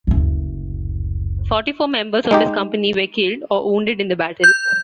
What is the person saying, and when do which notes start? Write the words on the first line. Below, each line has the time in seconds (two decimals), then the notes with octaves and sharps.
Forty-four members of his company were killed or wounded in the battle.
0.07 F#1 D2
2.31 G#3 D#4 G4
4.44 G6